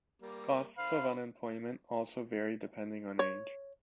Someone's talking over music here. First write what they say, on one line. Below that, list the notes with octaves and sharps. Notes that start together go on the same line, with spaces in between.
Costs of unemployment also vary depending on age.
G3 A#3
D3 C5 F5 B5
C#5